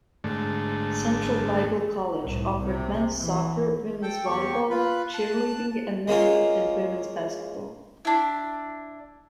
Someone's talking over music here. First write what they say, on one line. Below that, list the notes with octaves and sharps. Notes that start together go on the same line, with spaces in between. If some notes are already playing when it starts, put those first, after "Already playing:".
Central Bible College offered men's soccer, women's volleyball, cheerleading, and men and women's basketball.
G#2 D3 A3
C2 A2
C3
E3
A4 G5
E2 G4 C#6
F4 B4 B5
A5 F#6
G#3 A#3 C#4 F4
D4 E4